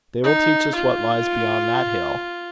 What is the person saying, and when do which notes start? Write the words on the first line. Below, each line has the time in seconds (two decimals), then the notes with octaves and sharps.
They will teach us what lies beyond that hill.
0.24 D#4
0.75 F4